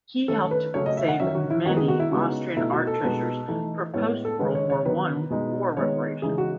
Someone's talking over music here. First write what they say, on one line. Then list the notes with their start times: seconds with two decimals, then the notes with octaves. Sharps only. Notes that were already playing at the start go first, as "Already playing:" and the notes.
He helped save many Austrian art treasures for post-World War One war reparation.
0.28 D#3 A3 C#4 A4
0.51 B4
0.74 C#3 F#3 A3 C#4 C#5
0.86 D#5
0.97 E5
1.08 F#5
1.20 D#3 F#3 C#4 E5
1.35 F#4
1.50 E4
1.66 D#3 G#3 B3 F#4
1.77 G#4
1.88 F#4
2.00 E4
2.11 C#3 G#3 B3 D#4 F#4
2.57 B2 A3 D#4 E4
2.72 F#4
2.87 A4
3.02 B2 G#3 B3 D#4
3.48 E3 A3 D#4
3.94 A2 G#3 B3 C#5
4.25 A4
4.39 D#3 G#3 C#4 B4
4.55 C#5
4.70 C#5
4.85 D#3 F#3 B3 B4
5.30 B2 G#3 D#4
5.77 D#3 G#3 B3 D#4 C#5
6.22 C#3 E3 G#3 D#4 G#4
6.38 F#4